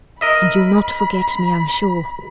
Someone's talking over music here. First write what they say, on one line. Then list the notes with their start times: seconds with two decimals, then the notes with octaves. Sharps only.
And you'll not forget me, I'm sure.
0.21 A#4 D#5 E5 B5